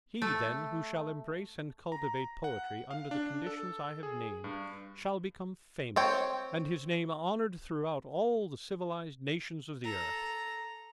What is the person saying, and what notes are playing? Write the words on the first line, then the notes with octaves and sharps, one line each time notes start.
He, then, who shall embrace and cultivate poetry under the conditions I have named, shall become famous, and his name honoured throughout all the civilised nations of the earth.
A3
A#5
F#5
F5
D4
A4
G#4
G2
C4 C#5 G5
A4 A#5